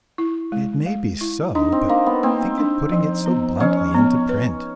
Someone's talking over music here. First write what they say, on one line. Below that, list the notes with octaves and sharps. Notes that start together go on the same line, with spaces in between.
It may be so, but think of putting it so bluntly into print.
E4
G#3
G#3
E4
D4 D#4
C4
A#3 D4
B3
A#3 C4
D4
F3
B3
F3 C#4
B3
B4